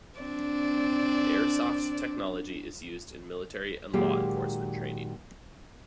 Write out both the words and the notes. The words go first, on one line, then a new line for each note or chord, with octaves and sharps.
Airsoft technology is used in military and law enforcement training.
C4 D4 D5
A#2 D#3 F#3 G#3 A#3 G4